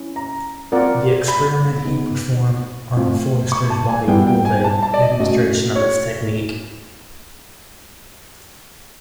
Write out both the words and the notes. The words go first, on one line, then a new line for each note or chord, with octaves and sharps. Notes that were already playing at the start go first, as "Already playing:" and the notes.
The experiment he performed on Forster's body was a demonstration of this technique.
Already playing: C#4 E4
A#5
C4 F4 A#4 D5 F#5
B5
B3 D#4 G#4
A3 C4 F4
C#6
A5
G#5
G3 B3 E4 G5
G5
G#5
A5
A5
D5
D#5
A3 C#4 F#4 D#5
C#5